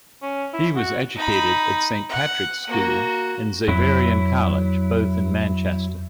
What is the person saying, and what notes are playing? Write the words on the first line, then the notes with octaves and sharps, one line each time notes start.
He was educated at Saint Patrick's School and Xaverian College, both in Manchester.
C#4
E4
F#4
D#4 B5
F#5
A#3 F#4
F2 F#3 E4